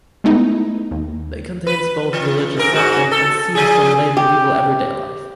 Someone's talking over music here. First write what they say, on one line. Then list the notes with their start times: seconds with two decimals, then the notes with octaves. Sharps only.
They contains both religious subjects and scenes from late medieval everyday life.
0.24 G#3 A3 B3 D#4 E4
0.91 D#2
1.67 B4
2.13 E3
2.57 G#2 A#4
2.73 G#2 F#4
3.12 A4
3.55 F3 G#4
4.17 G4